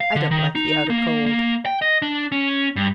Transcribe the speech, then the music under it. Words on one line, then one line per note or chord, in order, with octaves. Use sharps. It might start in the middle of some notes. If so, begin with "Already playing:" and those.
I don't like the outer Cold.'
F5
D3
D#3
D#4
A#3
A#3
G5
D#5
D4
C#4
G2